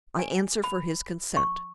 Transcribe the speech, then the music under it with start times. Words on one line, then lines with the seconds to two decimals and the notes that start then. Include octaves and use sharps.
"I answer for his consent."
0.19 G#5
0.64 B5
1.37 C#6